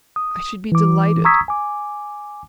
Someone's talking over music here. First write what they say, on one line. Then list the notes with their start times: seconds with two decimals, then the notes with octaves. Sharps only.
"I should be delighted."
0.16 D#6
0.72 E3 D6
1.25 A#5 C#6 D#6 E6 G#6 B6
1.48 G#5 D6